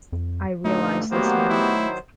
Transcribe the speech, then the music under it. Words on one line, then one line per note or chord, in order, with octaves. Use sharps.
I realize this now.
F2
G2 A#2 D3 A3 D#4
D#3 F#3 A#3 B3 F#4 G4 C5
E4